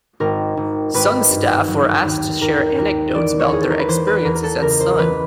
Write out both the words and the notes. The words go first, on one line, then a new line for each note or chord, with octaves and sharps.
Sun's staff were asked to share anecdotes about their experiences at Sun.
G#1 A#4
G#1
G#1 B4
G2
F#3
D#2
D#2 A#4
D#2 A#4
E3 D5
C#5
E2 G#4
A4
A#4
B4
E3 C5
B4
E2 A#4
A#4
A4
C#2 A#4
C5
E3 B4